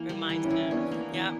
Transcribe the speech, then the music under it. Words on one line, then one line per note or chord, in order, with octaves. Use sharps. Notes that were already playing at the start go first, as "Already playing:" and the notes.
Reminds him, yep.
Already playing: E3 A#3
G3
E3
C#4 E4
E3
B3 C#4 D4
A#3
E3